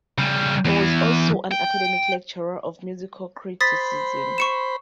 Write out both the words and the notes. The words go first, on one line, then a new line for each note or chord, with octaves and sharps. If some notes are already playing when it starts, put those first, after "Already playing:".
He was also an academic lecturer of musical criticism.
C#3 G3
E2 E3
G5
C5 B5 D#6 A6 B6
C#6 C#7 E7